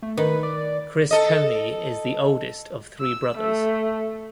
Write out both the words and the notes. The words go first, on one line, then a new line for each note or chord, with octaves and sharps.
Chris Coney is the oldest of three brothers.
A3
D#3 B4
D5
A4 D#5
E6
A3